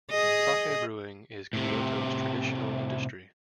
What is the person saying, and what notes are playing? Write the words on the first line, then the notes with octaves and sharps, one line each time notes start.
Sake brewing is Kyoto's traditional industry.
G#4 D#5
A2 C3